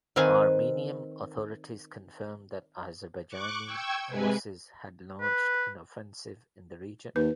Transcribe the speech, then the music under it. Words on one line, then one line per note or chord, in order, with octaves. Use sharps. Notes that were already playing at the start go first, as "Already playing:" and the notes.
Armenian authorities confirmed that Azerbaijani forces had launched an offensive in the region.
D#3 C4 B4 F5 G#5
C#6 D6 F#6
G5 C#6 E6 G#6
C3 G#3 B4 G#5
B4
D#2 B4